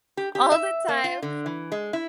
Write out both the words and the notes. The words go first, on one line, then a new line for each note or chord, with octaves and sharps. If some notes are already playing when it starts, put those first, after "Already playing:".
all the time.
G4
G4
E5
A#3
F4
D3
E3
G#3
E4